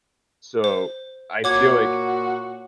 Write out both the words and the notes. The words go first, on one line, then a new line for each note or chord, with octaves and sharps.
So, I feel like
C5
A#2 F#4 C#5 D6 G#6